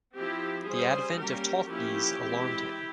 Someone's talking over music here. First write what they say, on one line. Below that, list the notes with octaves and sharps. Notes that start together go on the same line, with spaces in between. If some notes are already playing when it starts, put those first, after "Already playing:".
The advent of talkies alarmed him.
F3 C4 E4 G4
G3 C#4 G#4 C5
G3 A#3 C#4 G4 A#4
F3 A#3 C#4 E4 G4
E3 G#3 C4